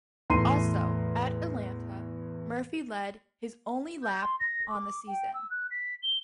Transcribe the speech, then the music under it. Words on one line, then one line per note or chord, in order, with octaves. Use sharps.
Also, at Atlanta, Murphy led his only lap on the season.
E2 A2 A#5 C6 C7 D#7
G6
C6
A#6
D6
G5
E6
F#6
B6
G7